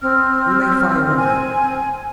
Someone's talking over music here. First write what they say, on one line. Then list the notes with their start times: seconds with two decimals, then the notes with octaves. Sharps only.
We may fire on them.
0.01 C4 F6
1.17 G#5